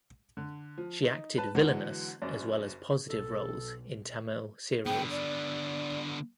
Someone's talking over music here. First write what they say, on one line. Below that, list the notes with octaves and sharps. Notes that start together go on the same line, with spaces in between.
She acted villainous as well as positive roles in Tamil serials.
D3
F3
D#4
B4 A5
D3 E3 F#3 G#3 F#4
F#1 F#2 D5
B1 A4
D3 B3 G5
D5